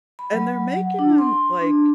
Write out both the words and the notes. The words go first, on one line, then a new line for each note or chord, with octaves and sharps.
And they're making them, like
B5
F#3
F#5
D4
C6
D4